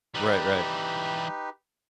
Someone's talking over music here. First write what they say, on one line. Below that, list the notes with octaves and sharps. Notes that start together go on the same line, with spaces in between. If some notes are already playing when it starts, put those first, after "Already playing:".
Right, right.
E3 G3 D#4 G4 B4